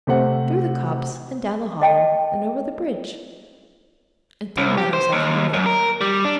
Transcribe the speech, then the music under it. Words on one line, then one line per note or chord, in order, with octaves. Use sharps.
"Through the copse, and down the hollow, and over the bridge, and three meadows after the mill."
C3 A3 C5 F#5
D#5 G5 A5
C2
G4
C5
D#2
F#2
A#4
G3
D4